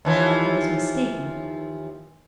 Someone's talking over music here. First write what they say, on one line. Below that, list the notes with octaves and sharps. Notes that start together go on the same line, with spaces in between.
I was mistaken.
D#2 E3 F3